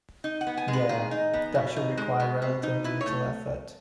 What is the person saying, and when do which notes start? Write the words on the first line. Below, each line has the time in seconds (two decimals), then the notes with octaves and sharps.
Yeah, that should require relatively little effort.
0.24 D#4
0.41 F#5
0.47 B3
0.57 G#5
0.68 G#3
0.73 B4
0.89 D#3 G#4
1.11 D#4
1.34 B3
1.55 B2
1.76 D#4
1.97 G#3
2.20 B2
2.42 B2
2.63 D#4
2.84 E4 B4
3.01 C#5
3.06 A3